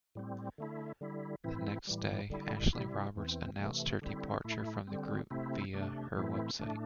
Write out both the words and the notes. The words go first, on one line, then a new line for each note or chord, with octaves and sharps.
The next day, Ashley Roberts announced her departure from the group via her website.
A2 G3 C4
D3 A3 E4
D3 G3 E4
A2 E3 C4 E4
A2 E3 G3
D3 G3 E4
C3 G3 E4
E2 E3 C4
C3 E3 A3
D3 G3 C4 E4
A2 A3 E4
D3 G3 C4
C3 A3 C4 E4
C3 A3 D4
A2 E3 A3 C4 E4
A2 A3 D4